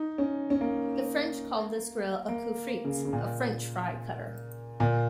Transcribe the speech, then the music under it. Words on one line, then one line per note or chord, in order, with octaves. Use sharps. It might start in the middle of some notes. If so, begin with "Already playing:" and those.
The French called this grille a "coupe-frites": a "french-fry cutter".
Already playing: D#4
C#4
C#4
A#3
A#3
C#3
C#3
A#2
A#2